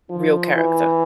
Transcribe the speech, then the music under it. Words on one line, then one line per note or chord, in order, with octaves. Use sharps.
real character,
F3
E3